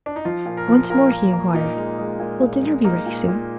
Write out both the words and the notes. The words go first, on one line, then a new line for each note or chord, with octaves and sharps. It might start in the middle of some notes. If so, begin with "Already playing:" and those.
Once more he inquired, "Will dinner be ready soon?"
D4
D#4
F3 F4
A#2
A#4
F3
A#2 A#4
A#3
A#3
A#2 D#4
G#3
G#3
A#2
A#2
G#3
A#3 D#4
A#2
A#2